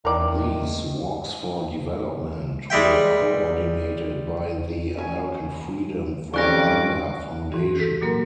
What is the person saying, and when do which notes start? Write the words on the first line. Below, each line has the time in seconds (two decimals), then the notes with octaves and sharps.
These "Walks for Development" were coordinated by the American Freedom from Hunger Foundation.
0.05 E2 D#3 A#4 D5
2.70 G3 G#3 E5 G5
4.97 C#4 G#5
6.34 F2 C#4 G4 D5 C#6 D6 F#6 A#6
7.52 G#2 E3 F#4
7.79 G4 A4
8.01 A#2 F#3 A#3 A#4 C6